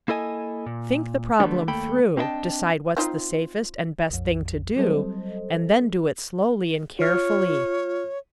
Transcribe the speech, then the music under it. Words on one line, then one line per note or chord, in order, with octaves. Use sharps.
Think the problem through, decide what's the safest and best thing to do, and then do it slowly and carefully.
A#3 E4 A4 D#5 G#5
A#2
D3 F#3 G3 A3 B3 D4
D#2 A3 A#3 A4 G5 B5
C4 D4 E4 D#5 G5 A5
C4 D#4 F4
A#1 F2
F#3 G3 C4 A4 C5 D#5
F4 C#5 F6